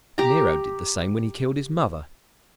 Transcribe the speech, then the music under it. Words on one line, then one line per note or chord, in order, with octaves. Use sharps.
Nero did the same when he killed his mother.
G4 A#5